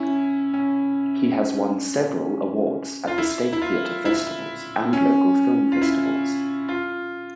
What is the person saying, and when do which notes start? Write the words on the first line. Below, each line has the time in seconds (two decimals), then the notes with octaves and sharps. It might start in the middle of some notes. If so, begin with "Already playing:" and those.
He has won several awards at the state theater festivals and local film festivals.
Already playing: C#4 E4
0.53 C#4
3.07 F4
3.18 E4
3.53 E4
3.62 F4
4.05 E4
4.93 C#4
5.72 F4
5.82 E4
6.69 F4